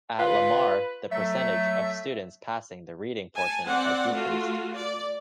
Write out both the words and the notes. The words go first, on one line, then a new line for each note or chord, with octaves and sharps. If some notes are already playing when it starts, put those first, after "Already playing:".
At Lamar the percentage of students passing the reading portion had decreased.
F4 B4
F#3 A3 E5
G#5 A5
C4 D5 F#5
A3 F4 F#4
D5